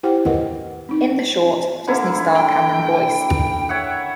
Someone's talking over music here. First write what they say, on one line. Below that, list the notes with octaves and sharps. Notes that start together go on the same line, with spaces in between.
In the short, Disney star Cameron Boyce.
E4 G4 C5 F#5 G5
A#4 B4 D#5 F#5
C4 D#4
D3 A#3 E4
G5
C#5 E5 F#5